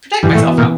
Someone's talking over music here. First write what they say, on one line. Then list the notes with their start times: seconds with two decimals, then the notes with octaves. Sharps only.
protect myself from.
0.23 G2 E3
0.35 A2
0.46 B3
0.58 A#2